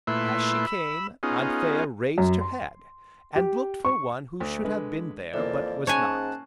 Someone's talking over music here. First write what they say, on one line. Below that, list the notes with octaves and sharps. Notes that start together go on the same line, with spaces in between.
As she came, Anthea raised her head, and looked for one who should have been there, but was not.
A#2 A3 E4 B4 E5 C6
B5 E6
B3 C#4 D#4 F4 G#4
F#2
C6
G4
C#6
D2
D3 G#3 B4
F2 E3 A#3 D5
G#2 C#4 C#5 G#5 A5 F#6